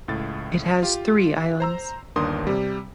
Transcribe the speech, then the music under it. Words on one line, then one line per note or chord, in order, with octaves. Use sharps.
It has three islands.
C#2 A2 A6
F4 G4
C5 A#5 E6
G1 D#2 D4 A#4 C6 D#6
C3 G3